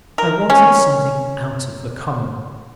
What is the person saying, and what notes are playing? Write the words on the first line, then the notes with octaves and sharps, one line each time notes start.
I wanted something out of the common.
A#4
C#4